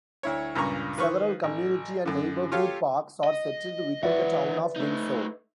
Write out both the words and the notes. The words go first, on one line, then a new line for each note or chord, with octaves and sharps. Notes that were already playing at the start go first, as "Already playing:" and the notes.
Several community and neighborhood parks are settled within the Town of Windsor.
D2 E4 C#5
C#2 G2 A#2 A#5 C#6
D#3 B4 C5 F5 C#6
A1
F#2 D3
F4 G4 A4 C#5 F5
D#5
E3 F#4 B4 D5 E5
A3 D#4